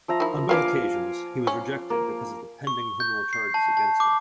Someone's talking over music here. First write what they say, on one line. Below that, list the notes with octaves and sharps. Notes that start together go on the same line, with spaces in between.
On both occasions he was rejected because of the pending criminal charges against him.
F3 E5 A#5
D#3 E4
A#3 B3 D4 F5 G#5 D6
C#4
A#3
C#6
G6
C7
A5
A5
D6